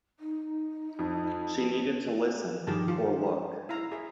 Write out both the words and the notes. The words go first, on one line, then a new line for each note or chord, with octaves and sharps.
She needed to listen "or" look.
D#4
F2
G2 D#3 F3 G4 G#4 A5
F4
E4 F5 A#5
G#4 E5